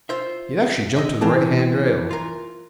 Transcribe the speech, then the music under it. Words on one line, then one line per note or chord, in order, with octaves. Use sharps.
He'd actually jumped to the right-hand rail.
F4 C5 E5
D#5 E5
E3 C4 F5 A5
F4 A#4